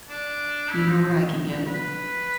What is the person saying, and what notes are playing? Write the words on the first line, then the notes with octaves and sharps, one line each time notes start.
You know where I can get it?
D4
E4
D#4
B4